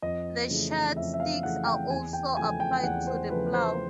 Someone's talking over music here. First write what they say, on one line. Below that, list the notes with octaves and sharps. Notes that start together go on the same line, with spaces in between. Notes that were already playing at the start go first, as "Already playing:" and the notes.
The charred sticks are also applied to the plough.
F2 D#5
C#3 E3 A3
F2 E5
E5
F5
C#3 E3 A3 F#5
G5
E2 G#5
G5
C#3 F3 A3 G#5
G5
E2 F#5
C5
C#3 F3 A3 B4
C5